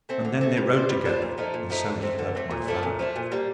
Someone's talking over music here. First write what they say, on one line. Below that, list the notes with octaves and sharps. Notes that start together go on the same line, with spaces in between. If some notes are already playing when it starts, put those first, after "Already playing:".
And then they rode together, and so he hurt my fellow.
A3 C4
D3
A3 C4
G3
D4 F4 C5
G3
D4 F4 C5
A#2
F3 A3 D#4
A#2
F3 A3 D#4
D3
A3 C4
D3
A3 C4
A#2
F3 A3 D4
A#2
F3 A3 D4
A#2
G3 A#3